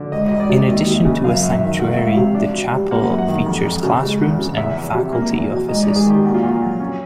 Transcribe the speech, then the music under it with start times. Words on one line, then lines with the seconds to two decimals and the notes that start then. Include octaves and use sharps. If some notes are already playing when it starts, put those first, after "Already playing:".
In addition to a sanctuary, the chapel features classrooms and faculty offices.
Already playing: D3
0.12 C#2 D#5
0.28 C#2 D#5
0.40 D5
0.49 C3
0.67 D#2 D#5
0.87 D#2
0.96 E5
1.05 C#3
1.24 F#2 F5
1.43 F#2
1.51 E5
1.61 D#3
1.79 A3 F#5
1.88 F5
1.97 C#2 E5
2.07 F5
2.16 C3
2.35 D4
2.53 B2
2.72 G3
2.91 A#3 F#5
3.10 F#2
3.18 F#5
3.28 D#3
3.46 F2
3.65 F2
3.83 C#3
4.02 G#3
4.21 E2
4.38 C#3
4.57 E2 E5
4.76 E2
4.94 C3
5.13 A#3
5.31 E2
5.50 B2
5.68 G#2 D#5
5.83 D5
5.88 G#2
5.96 G#4
6.06 D#3 G4
6.25 A#2 F#4
6.34 F4
6.43 A#2 F#4
6.62 F#3
6.80 C#4